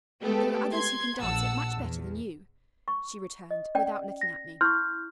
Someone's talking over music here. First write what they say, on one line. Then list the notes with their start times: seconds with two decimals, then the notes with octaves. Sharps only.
"There are others who can dance it much better than you," she returned, without looking at me.
0.22 G#3 A3 B3 G4 A4
0.72 C6 G#6
1.19 A#1 F#5 A5 E6
1.76 E2
2.88 C#6
3.51 D#5
3.75 C#4 D5 G5
4.21 A#6
4.61 E4 C6 C#6 F6 G6